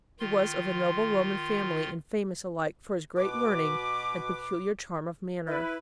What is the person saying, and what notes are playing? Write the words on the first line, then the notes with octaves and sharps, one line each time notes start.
He was of a noble Roman family, and famous alike for his great learning and peculiar charm of manner.
D#3 F4 C6
B2 B4 D6
E4 B4